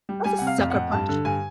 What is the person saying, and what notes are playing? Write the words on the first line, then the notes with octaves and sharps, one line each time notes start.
That's a sucker punch.
G3
G3 G#5
C3 F#5
F5
F2
F2 F#5
G2 A5
D3
G2 G#5